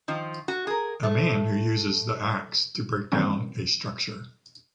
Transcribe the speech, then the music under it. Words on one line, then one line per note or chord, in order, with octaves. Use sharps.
A man who uses the ax to break down a structure.
D#3 F3 F4
F#4
G#4 A#4
A3
D#3 E3 F#3 A#3 C4 C#4